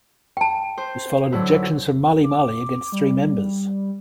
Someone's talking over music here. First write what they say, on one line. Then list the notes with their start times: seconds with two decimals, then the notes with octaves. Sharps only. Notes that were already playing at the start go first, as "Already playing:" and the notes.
This followed objections from Malimali against three members.
0.37 G5 A5
0.78 C5
1.32 D3 F#3 E4
2.24 D6
2.92 G3